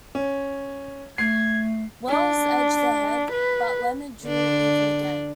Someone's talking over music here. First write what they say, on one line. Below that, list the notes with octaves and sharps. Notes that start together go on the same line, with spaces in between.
Wells edged ahead, but Leonard drew even again.
C#4
A3 G#6 C7
D4
B4
D3 D4